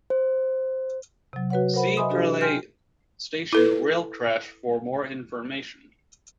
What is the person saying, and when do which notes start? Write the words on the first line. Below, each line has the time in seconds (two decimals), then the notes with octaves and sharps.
See Purley Station rail crash for more information.
0.10 C5
1.33 C3 F#3
1.50 F#4 B4 C#5 F#5
1.74 A#4 C5 F#5 B5
1.97 D#5 E5 G#5 B5 C6 D#6
2.11 D4 F#4 G4 A4 D#5
2.41 G5 G#5 C6 F6 G6
3.53 E4 A4 B4